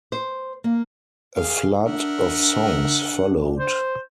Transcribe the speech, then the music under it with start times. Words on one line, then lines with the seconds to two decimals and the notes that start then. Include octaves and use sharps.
A flood of songs followed.
0.12 C5
0.64 A#3
1.36 G#4 F5
1.86 D4 A#4 E5 F#5
3.59 C5